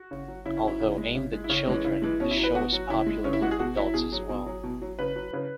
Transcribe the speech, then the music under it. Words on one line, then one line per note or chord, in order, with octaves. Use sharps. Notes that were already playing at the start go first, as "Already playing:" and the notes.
Although aimed at children, this show was popular with adults as well.
Already playing: F#4
C#3
F#3
C#3 E4
C#4
F#3 E4
C#3
G#3
C#3
G#3
E4
C#3 C#4
E3 G#3
C#3 E4
E3 G#3
B2 C#4
E4
F#3
B4
B2 F#4
F#3
C#3 E4
G#3
C#3 C#4
E4
G#3 F#4
G#4
B2 F#4
F#3 E4
B2 G#4
F#3
B2
F#3
B2
F#3
C#3 B4
F#3
C#3 B4